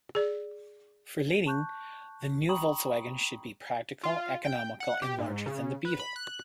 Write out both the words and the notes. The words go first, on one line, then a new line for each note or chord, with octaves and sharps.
For Leiding, the new Volkswagen should be practical, economical and larger than the Beetle.
G#4 D5
A5 C#6 F#6 G6
G5 A#5 B5 C#6 D#6 F#7
F4
G5
F#5
G4
G#2
C#3
B4
B5
F#6